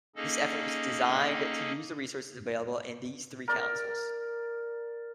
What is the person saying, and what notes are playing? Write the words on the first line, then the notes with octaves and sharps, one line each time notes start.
This effort was designed to use the resources available in these three councils.
A#3 C#4 D#4 G#4 A4 D#5
A#4 D5